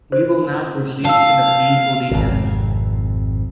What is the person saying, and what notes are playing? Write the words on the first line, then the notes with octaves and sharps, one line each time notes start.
We will now proceed to the painful details.
C5
F5 A5 E6
G#1 F2 C3